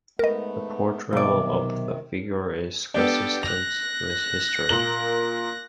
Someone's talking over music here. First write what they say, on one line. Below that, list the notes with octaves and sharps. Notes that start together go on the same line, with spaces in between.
The portrayal of the figures is consistent with history.
G#2 A3 B3 A#4 D#5
B1 C3 D#3 D5
B3 D4 G4 A4
F#6 A#6 F7
A#2 A#4 F#7